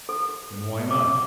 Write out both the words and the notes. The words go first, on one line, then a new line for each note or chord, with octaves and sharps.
And why not?
A4
D6